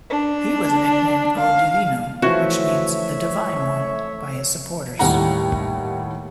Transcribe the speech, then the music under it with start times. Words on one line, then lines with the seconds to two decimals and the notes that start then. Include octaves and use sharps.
He was nicknamed O Divino, which means The Divine One, by his supporters.
0.10 D4
1.40 F5
2.22 E3 F3 A3 F#4 C#5 E5
4.99 D#2 A2 G3 F#5 A#5